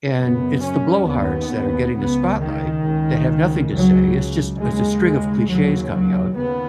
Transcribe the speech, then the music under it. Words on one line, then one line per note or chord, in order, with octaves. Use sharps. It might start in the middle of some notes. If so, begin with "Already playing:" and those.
And it's the blowhards that are getting the spotlight that have nothing to say, it's just it's a string of cliches coming out
F#2 C#3 B3
C#4
D#2 C#3 B3
C#2 C#3 B3
D#3
C#2 C#3
C#2 C#3 F#3
D#2 C#3 G#3
D#2 C#3 F#3
F#3
D#2 C#3 B3